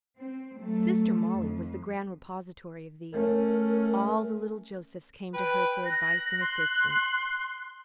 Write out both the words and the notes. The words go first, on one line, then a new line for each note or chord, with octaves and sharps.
Sister Mollie was the grand repository of these; all the little Josephs came to her for advice and assistance.
C4
F#3 A3 A4
F2
A3 C#4 A#4
B4 G5
F#6 A#6
C6